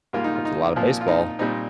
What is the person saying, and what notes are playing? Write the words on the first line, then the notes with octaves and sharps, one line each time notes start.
That's a lotta baseball.
G#2 G3 A#3 F4
D#4
F4
D#4
A#2 F3 A#3
F4
D#4
A#2 G3 C4 D#4